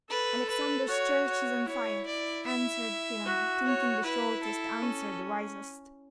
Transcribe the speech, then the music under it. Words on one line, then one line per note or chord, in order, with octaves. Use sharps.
'Alexander's church is on fire,' answered Philammon, thinking the shortest answer the wisest.
A4 B4
B4
F#4 C#5
C#5
E4 C#5
D5
E5
F#4
C#5
E4 B4
A4
C#4